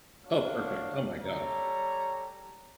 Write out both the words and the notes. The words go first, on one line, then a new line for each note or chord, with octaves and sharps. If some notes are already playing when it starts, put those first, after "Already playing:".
Oh, perfect. Oh my god.
D4 F#4 C#5 F5
G3 A4 C#5 A#5